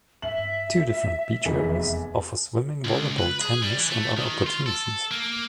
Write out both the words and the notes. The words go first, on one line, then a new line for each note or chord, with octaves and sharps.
Two different beach areas offer swimming, volleyball, tennis, and other opportunities.
E5 F#7
F1 E2 G#4
C#2
B4
G#4
G3
E3
A3
D#3
F4
A4
A#3